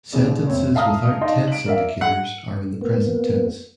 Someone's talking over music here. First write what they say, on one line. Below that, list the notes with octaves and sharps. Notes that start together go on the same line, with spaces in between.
Sentences without tense indicators are in the present tense.
D#1 D#2 C#3 D5
F1 C4 C#5
E5 F5 A5 A#5 D#6 F6
D#4 D5 D#5 F5 A5 C6
D7 F#7
A#4 D5 E5 F5
F#5
A#3 B3